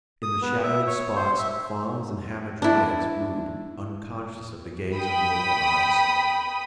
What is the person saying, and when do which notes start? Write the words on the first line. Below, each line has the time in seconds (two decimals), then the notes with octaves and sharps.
In the shadowed spots fauns and hamadryads wooed, unconscious of the gaze of mortal eyes.
0.23 D#6
0.42 B3
0.63 E5
0.87 C#5
1.16 C5
1.39 E5
2.62 D4 E4
4.95 G5 B5 D#6